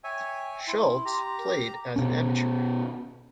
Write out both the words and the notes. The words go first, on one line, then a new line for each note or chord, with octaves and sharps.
Schultz played as an amateur.
C#5 E5 G5 G#5
E4 C6
G4 A#5
A#4
B2 C#4